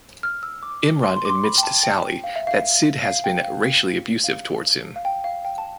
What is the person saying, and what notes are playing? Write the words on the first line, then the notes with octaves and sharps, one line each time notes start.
Imran admits to Sally that Sid has been racially abusive towards him.
F6
E6
D6
C6
C6
D6
C6
B5
G5
A5
G5
F5
E5
F5
F5
G5
F5
F5
F5
G5
F5
G5
A5